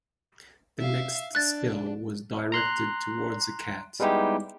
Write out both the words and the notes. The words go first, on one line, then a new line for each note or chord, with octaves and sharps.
The next spell was directed towards a cat.
E5 F5
D4 F#6 A6
A#5 C6 F#6
G3 G#3 B3 D#4 E4 G4